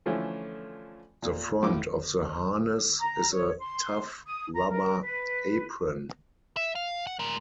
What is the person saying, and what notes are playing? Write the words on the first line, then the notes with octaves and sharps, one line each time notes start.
The front of the harness is a tough rubber "apron".
D3 E3 F3 A3 C#4
A#2
A2 F3 D6
A#5
C#5
C6
D#6
A#5
A#4
B4
E5
F5
F#5
G#3 A#4